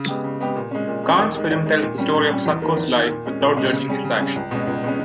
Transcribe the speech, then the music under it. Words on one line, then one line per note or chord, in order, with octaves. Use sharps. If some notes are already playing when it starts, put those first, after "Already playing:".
Kahn's film tells the story of Succo's life without judging his actions.
Already playing: C#3
G#3 B3 G4
C#3
G#3 B3 G4
A#2
G#3 C#4
A#2
G#3 C#4
D#2
D#3 G#3
D#2
D#3 G#3
A#2
G3 C#4
A#2
G3 C#4
E2
D#3 A#3
E2
D#3 A#3
A#2
G#3 C#4
A#2
G#3 C#4
C#3
G3 C#4 G#4
C#3
G3 C#4 G#4
C#2
B2 G#3 C#4
C#2
B2 G#3 C#4